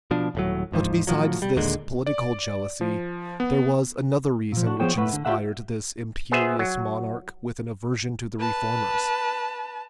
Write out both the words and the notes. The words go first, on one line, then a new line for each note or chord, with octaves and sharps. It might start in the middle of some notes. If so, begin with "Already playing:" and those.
But besides this political jealousy, there was another reason which inspired this imperious monarch with an aversion to the reformers.
B2 F3 D4
D#1 A2 F#3
D1 G#2 F3
A2 C3 F3 F#3
G3
D#2 A#2 D3 G#3
D5
F3
B3
A#2 F3
D4 F#4
F3 B3 G#4 C5 C#5 G5
A2 A3 B4 F#5
D3
F4 G4 G#4 D5 E5 F#5
B3 G#4 C5 E5
F#3
B4 A5